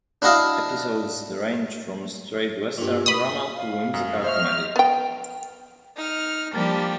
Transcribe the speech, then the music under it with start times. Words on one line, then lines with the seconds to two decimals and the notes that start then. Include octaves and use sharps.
Episodes ranged from straight western drama to whimsical comedy.
0.22 D4 E4 F#4 D#5 F5
2.78 G2 A#2
3.06 B2 B5 D#6
3.55 F5
3.94 F#2
4.24 C5 D#5 E5 C#6 F6
4.76 B3 G5
5.97 D#4 F6
6.54 F3 G3 A#3 D4 G4